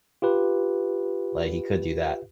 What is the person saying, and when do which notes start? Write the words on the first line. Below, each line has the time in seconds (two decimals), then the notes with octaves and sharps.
like, he could do that.
0.22 F4 G4 B4